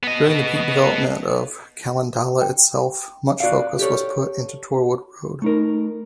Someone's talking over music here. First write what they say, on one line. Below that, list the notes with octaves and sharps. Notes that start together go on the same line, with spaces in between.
During the peak development of Khandallah itself, much focus was put into Torwood Road.
B3 D#5
G5
F#4 D5 F5
G4 A4 C#5
A3 D#4 A#4